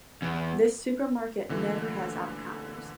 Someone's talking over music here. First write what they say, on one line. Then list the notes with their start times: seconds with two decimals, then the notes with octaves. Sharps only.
This supermarket never has avocados.
0.22 E2
1.49 A#2 D3 E3 A3